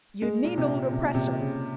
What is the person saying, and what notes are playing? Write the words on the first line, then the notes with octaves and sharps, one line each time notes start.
"You mean ole oppressor!"
G#3
A#2
C3
A#2
C3
A#2
C3
C#3